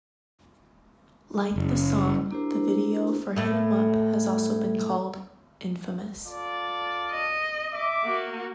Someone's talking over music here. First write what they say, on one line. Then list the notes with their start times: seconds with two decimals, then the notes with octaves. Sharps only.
Like the song, the video for "Hit 'Em Up" has also been called "infamous".
1.56 F#1
2.31 A#3 D4 E4 G4 A#4 C5
3.36 A2 A3
6.26 F4 A4 D5
7.12 D#5
7.73 E5 D6
8.04 A#3 F#4